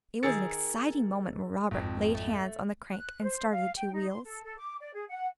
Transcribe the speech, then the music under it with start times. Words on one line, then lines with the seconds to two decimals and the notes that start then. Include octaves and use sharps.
It was an exciting moment when Robert laid hands on the crank and started the two wheels.
0.23 D#3 G#4 A#4 E6 A6 C#7
1.71 G#1 F2
2.14 A3
2.92 F#6
3.22 C5
3.50 F5
3.76 G5
3.92 D#4
4.10 C6
4.25 A4
4.43 A4
4.58 D6
4.79 D5
4.93 G#4
5.09 F#5